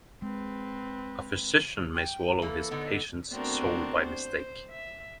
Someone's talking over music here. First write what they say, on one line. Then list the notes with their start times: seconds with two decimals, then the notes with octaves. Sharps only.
A physician may swallow his patient's soul by mistake.
0.22 G#3 C4 B4
1.96 G5
2.42 E3 A#3 A4
2.71 D3 B3 D#4
3.30 A3 B3 C4 D4 F#4 A#4
4.05 C5
4.70 E5